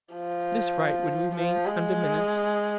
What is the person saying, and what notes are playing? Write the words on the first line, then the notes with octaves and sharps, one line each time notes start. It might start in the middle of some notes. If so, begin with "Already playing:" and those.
This right would remain undiminished.
F3
F3
G#3